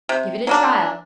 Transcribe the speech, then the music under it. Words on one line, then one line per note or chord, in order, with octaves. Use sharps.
Give it a Trial.
C3
F#3 A#3 D4